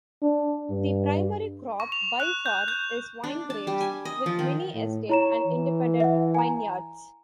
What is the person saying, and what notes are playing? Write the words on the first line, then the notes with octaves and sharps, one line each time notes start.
The primary crop by far is winegrapes, with many estate and independent vineyards.
D4
G2
C#6
F7
F#6
G6
G6
D4
A5
G3
G#5
D#5
F3
D#3
A2
E4 C#5 A#5 E7
E3
E5 F#5
G#5 A#5